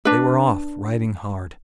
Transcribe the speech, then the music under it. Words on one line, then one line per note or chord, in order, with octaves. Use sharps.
They were off, riding hard.
D4 B4